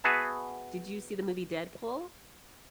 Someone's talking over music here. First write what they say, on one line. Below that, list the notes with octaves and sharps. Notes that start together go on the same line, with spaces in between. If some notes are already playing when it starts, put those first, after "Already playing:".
did you see the movie Deadpool?
B3 F#4 G#4 B4 E5 A5